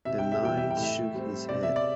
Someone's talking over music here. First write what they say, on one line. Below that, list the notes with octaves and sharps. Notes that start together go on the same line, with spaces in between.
The Knight shook his head.
C3 E5
G5
E5
E3 G3 G5
E5
G5
A2
E5
G3 C4
C3 D5
E5
D5